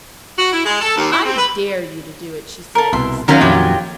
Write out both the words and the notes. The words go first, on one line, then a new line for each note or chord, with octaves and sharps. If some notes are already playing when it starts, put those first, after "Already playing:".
I dare you to do it,' she said. Stamp!
F#4
E4
G#3
A4
D#2
E4
C4
B4
A4 A#4
C2 B2 E5 C6
D#3 F#3 C#4 A#4 C5 F5
F2 A#2 F4 G4 C#5 F#5